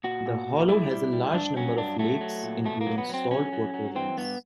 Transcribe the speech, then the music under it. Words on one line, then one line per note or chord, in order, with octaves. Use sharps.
The hollow has a large number of lakes, including saltwater ones.
A#2 F#4
A#2
A#2
G3 E4
G3
G3
G2 D4
F#3 C#4
G2 D4
F#3 A3
F#3
A#2
B2 A3
A#3
F#3
B3
F#3 C4
F#3 C#4
F#3
F#3
E3 C4
G2 B3